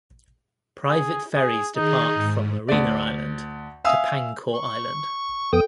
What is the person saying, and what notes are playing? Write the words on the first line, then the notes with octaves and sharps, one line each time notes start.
Private ferries depart from Marina Island to Pangkor Island.
G#4
G#4
D#3 D#4 G#4
G#2
D2 D5
E5 F5 G#5 D#6 E6
C#6
F2 B3 A4 G5 D#6